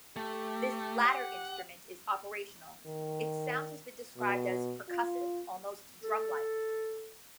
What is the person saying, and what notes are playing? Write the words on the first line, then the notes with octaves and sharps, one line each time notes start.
This latter instrument is operational; its sound has been described as "percussive, almost drum-like".
A3 G4
F#5
D#3
B2
F4
A4